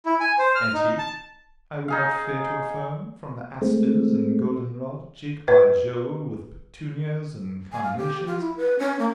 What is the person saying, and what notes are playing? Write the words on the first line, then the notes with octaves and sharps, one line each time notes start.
Etty, I would not fear to affirm, from the asters and golden-rod, cheek by jole with petunias and carnations.
E4
G#5
C5
F6
D#4
A5
D#4 G#4 F5
G#3 A3 C4
B4
G#5
F5
G4
F4
E4
B4
C#4
A#3